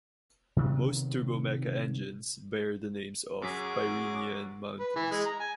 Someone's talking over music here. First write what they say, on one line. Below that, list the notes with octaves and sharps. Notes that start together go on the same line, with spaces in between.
Most Turbomeca engines bear the names of Pyreneean mountains.
C3 D#3 F#3 B3
F#2 F#3 F#4 G#4 D6 B6
B4
E3
G#3
A#5
G#5